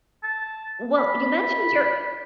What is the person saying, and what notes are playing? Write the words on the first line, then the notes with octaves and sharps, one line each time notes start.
Well, you mentioned your
A5
B5